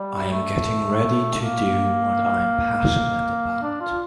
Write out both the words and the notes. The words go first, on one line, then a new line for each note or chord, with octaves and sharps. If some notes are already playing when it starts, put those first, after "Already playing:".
I am getting ready to do what I am passionate about.
Already playing: G3
A3
A#3
D4
F4